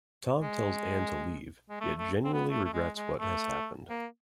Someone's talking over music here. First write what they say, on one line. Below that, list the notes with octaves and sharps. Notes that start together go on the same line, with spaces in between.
Tom tells Anne to leave, yet genuinely regrets what has happened.
G#3
G#3
A3
A3
C4
B3
A3
A3
G#3
G#3
A3
A#3